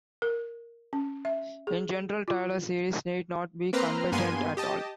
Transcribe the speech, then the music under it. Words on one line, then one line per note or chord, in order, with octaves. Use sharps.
In general, Taylor series need not be convergent at all.
A#4
C#4
E5
G#4
F4
A#3 C4 B4 A#5 C6 F6
G2 A#3 B3 G#5 C6 D#7
G4 D#5 A5